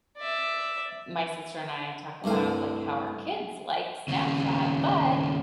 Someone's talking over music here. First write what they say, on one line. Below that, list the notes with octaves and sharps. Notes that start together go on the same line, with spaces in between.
my sister and I talk about, like, how our kids like Snapchat, but
D5 E5
C2 G2 A3 F5
D#2 C#3